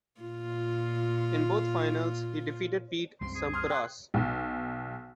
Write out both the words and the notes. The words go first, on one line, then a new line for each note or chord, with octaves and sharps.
In both finals, he defeated Pete Sampras.
A#2 F4
C2 F#2 C4 C6
G#4
C6 D#6 F6
G5 C6 F#6
B1